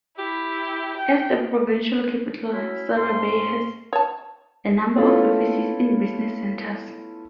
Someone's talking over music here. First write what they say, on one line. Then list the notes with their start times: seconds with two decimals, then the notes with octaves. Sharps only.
As the provincial capital, Surabaya has a number of offices and business centers.
0.18 E4 G4
0.97 G5
2.52 F#3 C#4 E4
2.97 G#2 C#4 C6
3.93 C#5 A5
4.97 A3 B3 C#4 E4 F4 A4